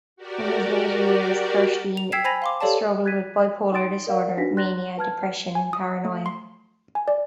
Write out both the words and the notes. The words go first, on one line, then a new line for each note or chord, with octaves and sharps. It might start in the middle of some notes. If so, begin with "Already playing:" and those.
In his later years, Kirstein struggled with bipolar disorder - mania, depression, and paranoia.
F#4 G4 A#4 D5
F7
G5 E6 G#6 B6 C7 E7
C5 G#5 B5 G#6 A#6 F7
F5 C6 D6
G4 A4 C#5 D5 F5 A5
F#6 G#6 A6 B6 D#7
D#4 G5 C6 D#6 A6 D7
A#4 D5 F5 F#5
D4 D#4 F#4 B4 A#6 B6
C6 F#6 A6 A#6
B4 A5 F6 G#6
G#5
D#6
A3
C6
G#5
D5